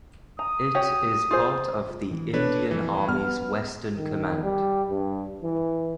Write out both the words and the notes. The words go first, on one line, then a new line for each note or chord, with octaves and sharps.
It is part of the Indian Army's Western Command.
A#5 D#6
F#4 G4 C#5
F4 G#4 C5
E3
D4 A4 B4 C#5
F2 E3
B3 F6
D#3
G3
G2
E3